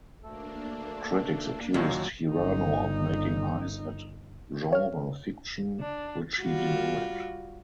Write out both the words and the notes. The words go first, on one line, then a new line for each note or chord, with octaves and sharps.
Critics accused Hirano of "making eyes at genre fiction" which he denied.
D2 A3 A#3 D4 A4
D#2 A#2 F#3 D4
G1 D#4
C#5 F6
D4
G3 F4 F#4